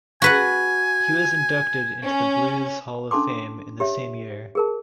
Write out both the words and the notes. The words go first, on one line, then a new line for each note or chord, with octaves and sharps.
He was inducted into the Blues Hall of Fame in the same year.
F#4 B4 F#5 G#5
C#4
C#4 D4 A4 A5 C6 D6
G4 C#5 E5
G#4 A#4 A5